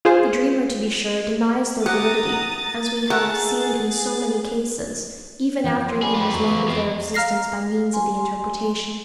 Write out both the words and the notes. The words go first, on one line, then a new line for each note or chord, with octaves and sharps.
The dreamer to be sure denies their validity, as we have seen in so many cases, even after he has learned of their existence by means of the interpretation.
F4 G#4 C5
G4 F#5 A#5 D#6 A6
G#4 A#4 E5 F#5
F#2 F3 G5
C4
G3 G#4
F4 B4
E2 F3 F#3 G4
F2 C4
F5 A#5 F6 A#6 C7
G#5 C6